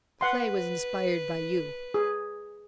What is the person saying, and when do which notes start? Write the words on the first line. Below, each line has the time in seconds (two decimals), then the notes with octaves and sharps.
The play was inspired by you.
0.21 B4 F#5 C6
1.94 G#4